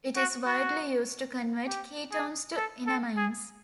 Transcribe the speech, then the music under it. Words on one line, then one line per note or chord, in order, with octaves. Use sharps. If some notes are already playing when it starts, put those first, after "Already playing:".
It is widely used to convert ketones to enamines.
F#4
F#4
G4
G#4
A4
A4
G#4